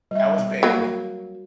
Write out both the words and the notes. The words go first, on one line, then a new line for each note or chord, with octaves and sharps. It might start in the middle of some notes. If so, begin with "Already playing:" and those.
That was big.
G3 E5
F#3 A#3 F#4